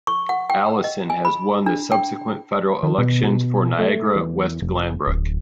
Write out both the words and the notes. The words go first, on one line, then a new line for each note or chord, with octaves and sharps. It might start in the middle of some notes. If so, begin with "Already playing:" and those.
Allison has won the subsequent federal elections for Niagara West-Glanbrook.
C#6
F#5
G5
D#5
G#5
B5
D4
G5
D#3
B2
B2
A3
E2
F1
D1